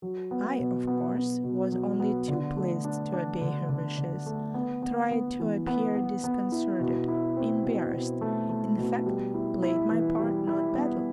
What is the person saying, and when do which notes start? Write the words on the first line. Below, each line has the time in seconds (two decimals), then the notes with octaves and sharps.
I, of course, was only too pleased to obey her wishes, tried to appear disconcerted, embarrassed, in fact played my part not badly.
0.02 F#3
0.31 B3
0.59 B2
0.87 B3
1.15 B3
1.44 B2
1.72 F#3
2.00 B3
2.28 D3
2.56 A3
2.84 D4
3.13 D4
3.41 D3
3.69 D3
3.98 D3
4.26 A3
4.54 B3
4.83 B3
5.11 B3
5.40 E3
5.67 B3
5.95 B3
6.24 B3
6.52 E4
6.80 B2
7.08 E4
7.37 C4
7.65 B2
7.93 B2
8.21 A3
8.49 A3
8.78 B2
9.06 G3
9.34 E4
9.63 E4
9.91 E3
10.19 G3
10.47 E4
10.75 B3